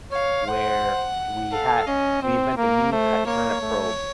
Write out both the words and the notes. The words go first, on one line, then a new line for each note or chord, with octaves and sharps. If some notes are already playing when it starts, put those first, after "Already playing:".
where we ha we invent the new ki kind of probe
C#5 F5
C5 F#5
A4 F5
C#4 D#5
C4 C5
A#3 A#4
A3 C5
A#3 C#5
A3